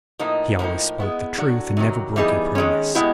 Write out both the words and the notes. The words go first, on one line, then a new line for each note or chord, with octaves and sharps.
He always spoke the truth and never broke a promise.
A2 F3 A#3 D#4
A2 F3 A#3 D#4
G#3 B3 E4
A2 F#3 A3 D4 F#4
C3 D#3 F#3
E3 G3 B3 D#4 G#4
D#3 G#3 C#4
B2 G#3 B3 E4 G4